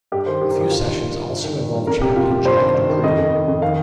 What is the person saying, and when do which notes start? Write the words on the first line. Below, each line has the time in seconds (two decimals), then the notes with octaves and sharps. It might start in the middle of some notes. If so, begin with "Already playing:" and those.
A few sessions also involved Champion Jack Dupree.
0.12 G2 G4
0.26 D#3 C5
0.41 D#3 G4
0.51 A#4
0.56 G2
0.61 G4
0.70 D#3 F4
0.85 G2
1.00 G2
1.14 D#3
1.29 G2
1.43 D#3
1.58 G2
1.73 G2
1.87 F2 A#4
2.02 C3 G4
2.16 C3 F4
2.31 C3 G4
2.45 G2 C5
2.60 D#3
2.74 G2
2.89 D#3
3.04 F2 D#5
3.18 F2
3.33 D#3
3.47 F2
3.62 D#3 F5